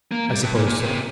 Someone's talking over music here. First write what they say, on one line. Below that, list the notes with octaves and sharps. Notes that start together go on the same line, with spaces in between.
"I suppose so."
A#3
G3
G2
A#2
A#2
A#2
C3